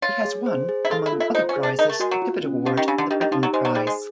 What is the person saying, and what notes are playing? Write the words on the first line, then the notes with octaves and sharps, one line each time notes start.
He has won, among other prizes, the Tippett Award and the Britten Prize.
F4 C#5
G#4
C5
G#4
E4
F4 A4
E4
F4
E4
D#4 C5
C#4
G#4
D4
D#4 A#4
A3
G#3 F#4
F#3
F4
C#4
F3 G4
D#3
C#3 D4
D3
D#3 G4
D#3
F3 D#4
F#3
G#3 C5
F#3
G3 G#4
G#3